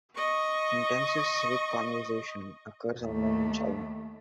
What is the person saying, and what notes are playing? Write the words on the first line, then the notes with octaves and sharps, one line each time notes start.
Intensive civic conversation occurs online in China.
D#5 C#6
D#2 A3